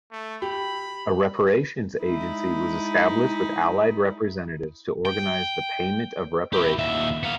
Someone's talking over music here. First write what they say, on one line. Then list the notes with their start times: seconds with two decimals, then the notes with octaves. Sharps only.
A Reparations Agency was established with Allied representatives to organize the payment of reparations.
0.11 A3
0.42 G4 B5
2.02 G#3 D#4 E4
5.05 G5
6.53 E4 G4
6.79 D#2 E5
7.23 B3 F5